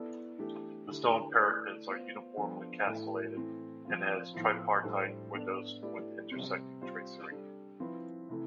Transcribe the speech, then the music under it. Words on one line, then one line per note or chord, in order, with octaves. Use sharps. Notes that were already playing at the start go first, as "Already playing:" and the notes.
The stone parapets are uniformly castellated and it has tripartite windows with intersecting tracery.
Already playing: B3 E4 A4 D5
E3 A3 D4 G4
D3 A3 E4 G4
A3 E4 B4 D5
B3 F4 C5
F3 B3 D4 A4 C5
A2 E3 A3 E4
E3 A3 C4
F3 C4 F4
A2 F3 B3 E4
A2 G3 D4 A4 C5
B3 D4 A4 D5
A3 E4 G4 B4 D5
C3 G3 C4
G3 C4 F4 C5
G3 D4 A4
F3 C4 E4 B4
C3 E3 A3 E4